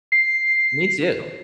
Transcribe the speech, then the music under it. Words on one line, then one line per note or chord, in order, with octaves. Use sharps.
Me too.
C7